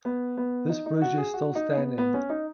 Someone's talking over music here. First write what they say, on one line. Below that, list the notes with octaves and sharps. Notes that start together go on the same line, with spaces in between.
This bridge is still standing.
B3
B3
D#4
D#4
F#4
G#4
F#4
D#4
B3
B3
C#4
D#4